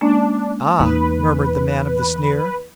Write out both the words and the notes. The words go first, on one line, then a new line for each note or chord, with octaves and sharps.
"Ah!" murmured the man of the sneer.
G#3 A#3 C#4 D4
E2 A#3 D#4 B4